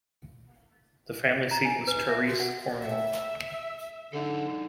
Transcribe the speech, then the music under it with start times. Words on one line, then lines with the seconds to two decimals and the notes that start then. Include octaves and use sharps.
The family seat was Trerice, Cornwall.
1.51 A#5
1.65 G#5
1.88 B4
2.09 E5
2.28 F#4
2.40 F#5
2.81 E5
4.13 D3 D#4 G#4 A4